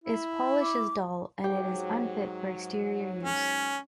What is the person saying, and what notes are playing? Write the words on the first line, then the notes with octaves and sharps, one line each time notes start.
Its polish is dull and it is unfit for exterior use.
E4
D6
G#2 F#3 G4
C#4